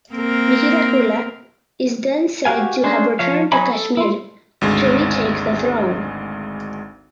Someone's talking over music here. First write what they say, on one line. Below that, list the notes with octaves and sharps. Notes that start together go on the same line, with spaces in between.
Mihirakula is then said to have returned to Kashmir to retake the throne.
A#3 C4 A#4
F#4 G4 F5 G#5
C#4 D4 G#4 C5
F3 C#5 F5
F#3 D#4 C#5 G#5 B5
A4
E4 F4
G#1 D2 G#3